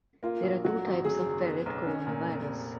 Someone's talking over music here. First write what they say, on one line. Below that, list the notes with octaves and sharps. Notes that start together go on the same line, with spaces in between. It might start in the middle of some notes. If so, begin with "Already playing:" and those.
There are two types of ferret coronavirus.
A#3 F4
A#1
F#3 F#4
G#1
F#3 G#4
F#1
B3
B1
C#4
A#2
F1
F1